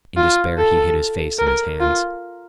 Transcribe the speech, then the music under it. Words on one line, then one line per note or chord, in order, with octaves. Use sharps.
In despair he hid his face in his hands.
F4
A4
A#4
F4